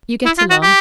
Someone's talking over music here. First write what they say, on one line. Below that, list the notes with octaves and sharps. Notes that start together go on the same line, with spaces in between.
You get along.
E4
F4
F#4
G4